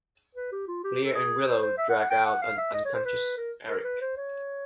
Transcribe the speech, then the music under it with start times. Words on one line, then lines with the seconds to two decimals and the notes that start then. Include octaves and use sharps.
Giles and Willow drag out an unconscious Eric.
0.35 B4
0.52 G4
0.67 F4
0.84 G4
1.04 A4
1.15 G#4
1.47 C5
1.62 C5
1.78 E5
1.89 F#5
1.99 F#5
2.10 G5
2.25 F#5
2.42 F5
2.57 E5
2.73 D#5
2.85 C#5
2.94 C5
3.05 B4
3.37 A#4
3.69 A#4
3.84 B4
4.01 C5
4.17 C#5